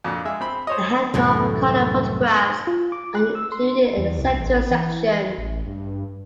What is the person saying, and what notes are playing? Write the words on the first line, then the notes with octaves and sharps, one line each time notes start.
A handful of color photographs are included in a center section.
F2 A#2 D3
G#3 E5
C4 B5
C5 C#5 D#5
C2 F#2 A2 E3 A3
F4
D6
F#6
E6
C6
E2
C2
A1
E3
A1
G2